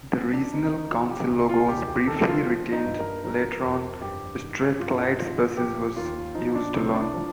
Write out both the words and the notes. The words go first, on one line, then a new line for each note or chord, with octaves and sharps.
The Regional Council logo was briefly retained, later on "Strathclyde's Buses" was used alone.
F3 C4
D4
D2 D#4
D#4
F3 F4
G4
C2
F4
D#2 G4
G4
D#3 A4
F4
F3
D#4
G2
A#4
F3 A#4
F2
G2 G4
D#3
G2 F4
D#3 F4
F3 G4
D#2 F4
F3 D#4
D4
C2 C4
D4
F3